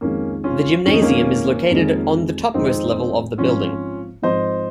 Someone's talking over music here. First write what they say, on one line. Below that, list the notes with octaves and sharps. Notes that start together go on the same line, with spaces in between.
The gymnasium is located on the topmost level of the building.
F2 D#3 G#3 A#3 C#4
C#4 F4
F2 D#3 G#3 C#4
D#4
A#3 C#4
F2 D#3 G#3
F2 D#3 G#3 C4 D#4
G#2 F3 C4 C#4 F4
G#2 F3 C4 C5 D#5